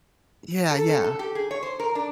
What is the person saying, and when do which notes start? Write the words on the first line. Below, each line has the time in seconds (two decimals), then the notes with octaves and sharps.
Yeah, yeah.
0.71 A4
0.88 C#4
1.04 A4
1.19 G4
1.35 G#4
1.51 C#5
1.63 C5
1.80 A#4
1.95 D4